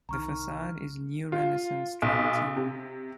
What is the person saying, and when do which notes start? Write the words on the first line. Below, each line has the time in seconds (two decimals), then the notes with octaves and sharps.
The facade is neo-Renaissance travertine.
0.09 C2 D#3 A#5 C#6 F6
1.32 F4
2.02 B1
2.56 C3